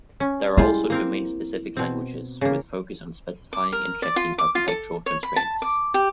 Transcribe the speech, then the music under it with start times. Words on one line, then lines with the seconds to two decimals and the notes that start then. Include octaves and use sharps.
There are also domain-specific languages with focus on specifying and checking architectural constraints.
0.20 C#4
0.57 G3 G#3 E4 F4
0.90 A#3 C4 A#4
1.77 B2 C4
2.41 C#3 A#3
3.53 D6
3.73 A#4
4.02 D5
4.16 F4
4.38 D6
4.55 F4
4.68 A4
5.06 C#5
5.23 B5
5.36 A5
5.62 D6
5.94 G4